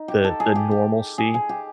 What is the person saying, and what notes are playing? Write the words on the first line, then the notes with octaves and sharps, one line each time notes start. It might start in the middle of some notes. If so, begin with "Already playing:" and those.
the the normalcy,
Already playing: D#4
G4
A4
G#4
G4
G4
G#4
G#4
G4